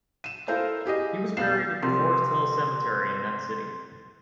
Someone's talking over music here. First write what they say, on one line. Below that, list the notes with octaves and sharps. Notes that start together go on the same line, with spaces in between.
He was buried at the Forest Hill Cemetery in that city.
D#7 E7
E4 A4 A#4 C5 F5
E4 G4 G#4 D#5
E1 B3 F5 C7 E7
C2 F3 C6